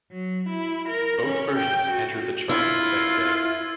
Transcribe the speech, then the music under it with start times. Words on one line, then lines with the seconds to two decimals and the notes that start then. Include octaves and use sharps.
Both versions entered the chart the same day.
0.12 F#3
0.49 E4
0.89 A#4
1.25 C#4
1.58 G5
1.92 F#4
2.49 E4 F4 E6 G#6